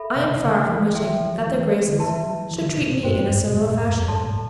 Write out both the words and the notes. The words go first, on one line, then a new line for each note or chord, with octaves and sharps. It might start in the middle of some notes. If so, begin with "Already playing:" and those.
I am far from wishing that their Graces should treat me in a similar fashion.
Already playing: A4 E5 B5
C3
C3
D3
E3
E3 A4 E5 G5 C6
F#3
E3
F#3
E3
D3
E3 E4 B4 E5 A5 C6
F#3
E3
D3
C3
B2
G2 F#4 C5 G5 C6
G2
B2
A2
A2
G2
F#2
G2 A4 D5 A5 C6
A2